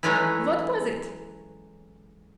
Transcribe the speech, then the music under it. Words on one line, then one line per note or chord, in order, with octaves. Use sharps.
"What was it?"
E3 F#3 G#3 A3 C#4 E4